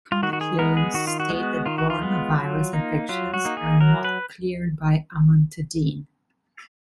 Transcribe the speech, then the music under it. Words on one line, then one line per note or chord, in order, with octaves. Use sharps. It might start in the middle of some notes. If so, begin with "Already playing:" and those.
Counter-claims state that Borna virus infections are not cleared by amantadine.
F4
D#3 F#4
F#4
G#4
G#3 B3 A#4
G#4
D#3 F#4
F4
F#4
G#3 B3
D#3 F4
F#4
F4
G#3 B3
F#3
A#3 D#4
F#3 F4
F#4
A#3 D#4
G#4
F#3 A#4
B4